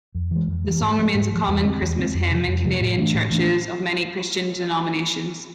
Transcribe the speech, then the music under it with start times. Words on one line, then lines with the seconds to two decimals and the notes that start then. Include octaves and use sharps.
The song remains a common Christmas hymn in Canadian churches of many Christian denominations.
0.15 F2
0.31 E3 G#3
0.47 F2
0.65 E3 G#3
0.81 G#2
0.98 F3 G#3
1.15 G#2
1.32 F3 G#3
1.48 E2
1.65 D3 G#3 C4
1.81 E2
1.97 D3 G#3 C4
2.15 F2
2.31 C3 F3
2.47 F2
2.64 C3 F3
2.81 A2
2.98 E3 A3 D4
3.14 A2
3.30 E3 A3 D4